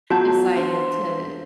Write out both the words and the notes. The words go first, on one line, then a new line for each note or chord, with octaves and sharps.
decided to
F#3 B3 F4 F#5 A5 G6
D4 C5 F5